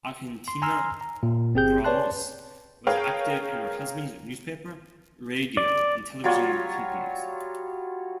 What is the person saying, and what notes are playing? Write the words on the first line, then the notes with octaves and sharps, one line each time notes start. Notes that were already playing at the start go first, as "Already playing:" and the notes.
Argentina Ramos was active in her husband's newspaper, radio and television companies.
C6
G#5 A#5 C6 E6 F6
A#5
A#2
G1 C4 G4 G#4 G5 G6
B4 C#5 D5 A5 C6 F#6
G#4 A#4 B4 C#5 F5 G5
D5
F#3 G3 F4 C#5